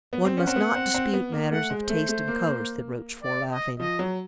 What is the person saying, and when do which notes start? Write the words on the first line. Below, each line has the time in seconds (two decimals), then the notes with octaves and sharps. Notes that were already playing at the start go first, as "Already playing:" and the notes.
"One must not dispute matters of taste and colors," said Rochefort, laughing.
0.13 B3
0.25 C4
0.37 C#4 F#5
0.47 C4
0.56 B3
0.76 C4
0.94 C4
1.13 B3
1.32 A#3
1.52 A3 F#5
1.70 G#3
1.81 C5
1.89 A3
2.09 A3
2.28 A#3
2.47 A#3
3.23 D5
3.51 D#5
3.79 F3 D#5
3.99 F#3